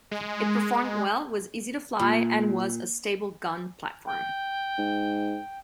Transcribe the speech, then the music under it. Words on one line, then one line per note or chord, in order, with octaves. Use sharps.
It performed well, was easy to fly and was a stable gun platform.
G#3
A#2
G5
G#2